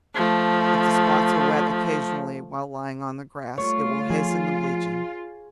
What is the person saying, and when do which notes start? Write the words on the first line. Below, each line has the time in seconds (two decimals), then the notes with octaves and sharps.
If the spots are wet occasionally while lying on the grass, it will hasten the bleaching.
0.14 F3 A3
3.58 G3 A3 F4 C#5
4.10 F3 G#4